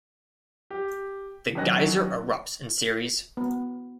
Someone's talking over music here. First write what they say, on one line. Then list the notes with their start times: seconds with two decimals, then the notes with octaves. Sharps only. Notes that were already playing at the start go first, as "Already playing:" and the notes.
The geyser erupts in series.
0.71 G4
1.55 G#1 D#3 F#3 C#4 F#6 A#6
3.37 B3